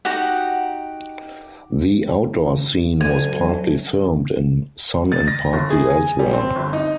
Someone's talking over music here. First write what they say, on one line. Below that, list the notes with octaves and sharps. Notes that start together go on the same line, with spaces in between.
The outdoor scene was partly filmed in Son and partly elsewhere.
D#4 F#4 G4 F#5
D2 F#3 A4 G#5
A6
A#6
G1
G#4
G#5
G3
C4
G1
D#4